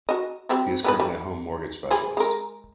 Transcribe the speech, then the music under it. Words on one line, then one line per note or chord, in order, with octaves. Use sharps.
He is currently a home mortgage specialist.
F#4 D#5
G3 C4 F#4
B3 G4 B4
G3
G3 G#4 C5
G#3 A#4